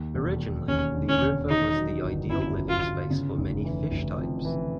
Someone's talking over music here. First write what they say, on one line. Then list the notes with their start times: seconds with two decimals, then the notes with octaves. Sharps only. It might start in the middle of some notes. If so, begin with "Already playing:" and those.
Originally the river was the ideal living space for many fish types.
Already playing: D#2
0.14 E1
0.41 E1
0.68 D#2 C#4
0.94 D3
1.08 C#4
1.22 E1
1.48 D#3 D#4
1.75 F#3
2.03 G1
2.30 F#2 E4
2.56 G1
2.69 F4
2.84 G1
3.10 C#3
3.37 F1
3.64 E3
3.91 F1
4.18 F2
4.45 E3